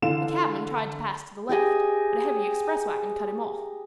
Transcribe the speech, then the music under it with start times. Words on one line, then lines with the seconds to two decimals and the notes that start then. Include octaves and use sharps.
The cabman tried to pass to the left, but a heavy express wagon cut him off.
0.02 D3 E3 F5 E7
1.49 G4 G#4 D#5 G#5